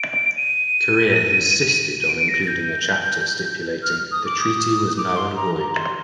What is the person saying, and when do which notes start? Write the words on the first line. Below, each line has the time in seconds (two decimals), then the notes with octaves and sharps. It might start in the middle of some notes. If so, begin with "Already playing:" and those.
Korea insisted on including a chapter stipulating "The treaty was null and void".
Already playing: D7
0.36 D#7
2.02 D#7
2.09 D7
2.28 A#6
2.48 G6
3.83 F6
4.12 D#6
4.26 D6
4.40 D#6
4.98 D6
5.16 C6
5.36 A#5
5.55 A#5
5.74 C6